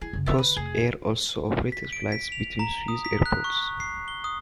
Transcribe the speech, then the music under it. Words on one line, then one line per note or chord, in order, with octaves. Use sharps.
Crossair also operated flights between Swiss airports.
E4 G#4
F#2 C#3
D3 B3 E5
B4
F1 G#4
B6
D7
B6
F7
A#5
D#6
B6
F#6
C#6
C7
G7
D#6